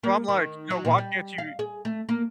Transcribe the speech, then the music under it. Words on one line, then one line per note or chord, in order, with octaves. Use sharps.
So I'm like, you know, why can't you
A#3
D#3
F#3
A#2
G3
F5
G#4
A3
A#3